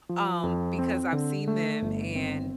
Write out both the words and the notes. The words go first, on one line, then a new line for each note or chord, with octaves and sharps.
um, because I've seen them, and
F3
F2
C4
D3
A3
G1
C4